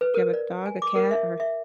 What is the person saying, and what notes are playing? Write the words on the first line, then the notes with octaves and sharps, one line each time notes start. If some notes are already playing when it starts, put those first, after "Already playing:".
do you have a dog, a cat, or
B4
A#4
D5
G#5
D6
A#4
E5
E5